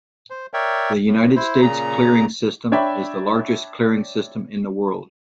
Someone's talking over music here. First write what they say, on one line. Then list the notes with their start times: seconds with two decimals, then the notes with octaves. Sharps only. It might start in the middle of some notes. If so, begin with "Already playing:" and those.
The United States Clearing System is the largest clearing system in the world.
0.30 C5
0.54 A#4 C#5 D5 E5 G5
1.08 A2
1.36 E4 C5
1.62 A#2 C#3 A#5
2.72 D4 C#5 D5 E5 G5 B5